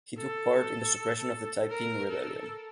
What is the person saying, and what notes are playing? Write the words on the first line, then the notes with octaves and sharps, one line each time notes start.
He took part in the suppression of the Taiping Rebellion.
A4
A#4
A4